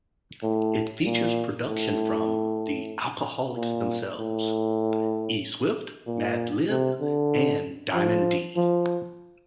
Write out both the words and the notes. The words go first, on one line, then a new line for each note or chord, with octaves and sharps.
It features production from Tha Alkoholiks themselves, E-Swift, Madlib and Diamond D.
A2
A#2
A2
A#2
A2
A#2
C3
D3
F3
F3